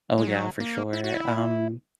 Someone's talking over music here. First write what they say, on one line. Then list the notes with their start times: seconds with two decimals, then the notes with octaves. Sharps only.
Oh, yeah, for sure. Um,
0.18 G#3
0.27 F#3
0.60 A#3
0.93 E4
1.04 F#4
1.14 E4